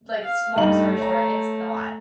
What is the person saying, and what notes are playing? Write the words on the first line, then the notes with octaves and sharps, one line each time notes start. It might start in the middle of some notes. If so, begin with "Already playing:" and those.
like s long story short, it's not
F5
G2 A3 D#4 F#7
C#5 A#5